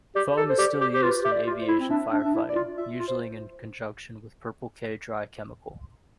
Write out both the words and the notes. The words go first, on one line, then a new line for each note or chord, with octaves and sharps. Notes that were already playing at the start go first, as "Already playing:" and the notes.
Foam is still used in aviation firefighting, usually in conjunction with Purple-K dry chemical.
G4 D5
A4
C5
G4 D5
G4
G4 C5
F4 B4
G4 E5
D5
F4
C5
E4
C4
D4 E5
D4
E5
D4
E4
D5
F4
F4 E5
F4
C5